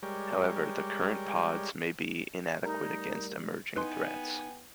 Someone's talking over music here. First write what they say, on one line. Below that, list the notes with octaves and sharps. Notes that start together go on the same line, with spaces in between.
However, the current pods may be inadequate against emerging threats.
G3 G#3 G4 A#4 C#5 D5
G3 A3 D#4 A#4
B3 D#4 B4 G5 G#5 C6